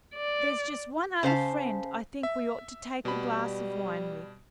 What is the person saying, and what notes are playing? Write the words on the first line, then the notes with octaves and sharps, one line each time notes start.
There's just one other friend I think we ought to take a glass of wine with.
D5
C#3 C5 F5 A5
E5
B2 G3 B5